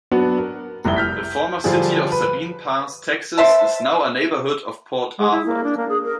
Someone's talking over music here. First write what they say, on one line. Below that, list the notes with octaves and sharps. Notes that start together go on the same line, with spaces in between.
The former city of Sabine Pass, Texas is now a neighborhood of Port Arthur.
F#3 B3 D4 F#4
A#4
F1 C2 E4 G7
F6 G6 B6
D3 F3 G3 D4 F4 G#4
B4
C5 E5 A5
G#3
E4
A#3
D4
A#3
G#4
A#4